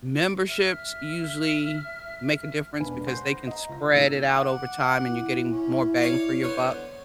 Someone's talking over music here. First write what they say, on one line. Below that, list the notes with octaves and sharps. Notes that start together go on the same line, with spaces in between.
memberships usually make a difference because they can spread it out over time and you're getting more bang for your buck,
E5 F6
E1 D4 B4 G#5 B5
C5 F#5 C6 G6 A#6 C7
D#5 F#5 A#5
C#2 A#6
A#1 D#3 A3 A#3 D#4 E6
F#5 D6
E4
C#4
C#5 D5 F5
D3 B3 C5 C#5